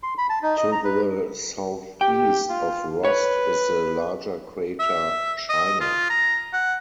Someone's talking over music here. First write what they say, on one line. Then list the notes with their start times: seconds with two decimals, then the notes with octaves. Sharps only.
To the southeast of Rost is the larger crater Scheiner.
0.03 C6
0.18 B5
0.29 A5
0.43 D#4
0.57 D#5
0.72 A#5
0.84 B4
2.01 G4 G5
2.49 F4
3.05 B4 C#5
4.79 E5
5.49 D#5
5.80 F4
6.10 A#5
6.53 F#5